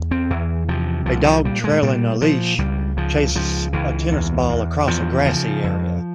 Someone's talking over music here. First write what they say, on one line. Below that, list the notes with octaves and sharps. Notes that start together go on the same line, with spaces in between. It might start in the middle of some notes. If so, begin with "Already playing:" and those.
A dog, trailing a leash, chases a tennis ball across a grassy area.
Already playing: E2
C4
E2 E3
C3 F3
C2 F3
F3
A#2 G3
G#3
A#2 G3
A#2 F3
C#2 G3
C#3 F3
C#2 F3
C#2 E3
E2
E2
E2 F3
C#3 F3
F2